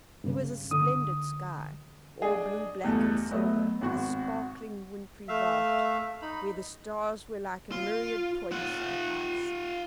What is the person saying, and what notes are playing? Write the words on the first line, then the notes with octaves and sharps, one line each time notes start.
There was a splendid sky, all blue-black and silver--a sparkling wintry vault, where the stars were like a myriad points of ice.
G2 C#3
D3 D#6
D4 G#4 D#5
E2 G2 A3
F#3 A3 B3 D#5
G#1 F#4 C#6
A3 E5 F5
D#4 B5
F4
F4 F#5